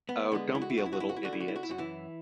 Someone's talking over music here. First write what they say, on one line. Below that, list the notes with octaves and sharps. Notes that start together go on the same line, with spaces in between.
Oh, don't be a little idiot!
B3
D3 G#3 B3
E4
F#4
E4
F#2 F#4
E4
F#4
E4
F#4
E4
D3 A3 F#4
E4
F#4
E4
F#4
E4
F#2 F#4
E3 E4